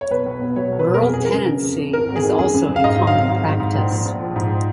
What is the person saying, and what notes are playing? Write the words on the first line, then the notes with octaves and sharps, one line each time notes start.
Rural tenancy is also a common practice.
C#5
B1 B4
B1
B2
F#3 C#5
B1
B4
B2
A#4
F2 G#4
F#3 G#4
A#4
C#3
C#3
F2
F2
G#1 A#4
G#1
G#4
D#3
F#2 G#4
F#2
F#2
F5
G#2 D#5
F#3
F5
G#1
G#2
G#2
G#2
A#1
A#1
A#1
F3
G#2